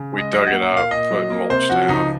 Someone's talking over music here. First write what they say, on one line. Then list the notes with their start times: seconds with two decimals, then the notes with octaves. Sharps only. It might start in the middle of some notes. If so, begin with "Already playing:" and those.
we dug it up, put mulch down,
Already playing: C#3
0.13 G#3
0.18 D#5
0.33 F#3 D#5
0.47 A#3 F#5
0.62 F#5
0.72 A#2
0.77 F5
0.91 A#2 D#5
1.11 F#3
1.30 A#3
1.50 C3 C5
1.69 F3 F#4
1.89 C#2 D#4